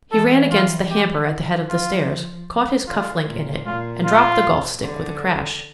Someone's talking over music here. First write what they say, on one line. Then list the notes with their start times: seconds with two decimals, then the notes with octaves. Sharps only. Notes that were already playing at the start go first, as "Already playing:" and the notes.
He ran against the hamper at the head of the stairs, caught his cuff-link in it, and dropped the golf-stick with a crash.
0.11 E3 A4
0.51 F4
0.90 G4
1.69 F3 F4
2.86 D3 F4
3.26 A#2
3.66 A#2 F4
4.04 F4
4.83 D3